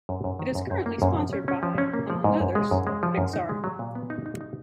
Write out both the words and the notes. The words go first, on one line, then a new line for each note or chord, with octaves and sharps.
It is currently sponsored by, among others, Pixar.
F#2
F#2
D#3
F#2
F#2
A#3
F#2
F3
C#4
C#4
F3
C#4
A#3
F3
G#2
F#2
G#3
F#2
G#3
F3
F#2
D#4
G#3
F#3
A#2
B3
D#4
D#4
D#4